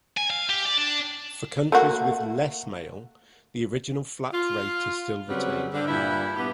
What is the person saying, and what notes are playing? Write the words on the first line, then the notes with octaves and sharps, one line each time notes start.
For countries with less mail, the original flat rate is still retained.
G#5
F5
G4
D5
D4
A3 A#3 F#4
F4
C#3 F#3 G3 C4 B4
G2 D3
G2 A#2 E4
B3 G4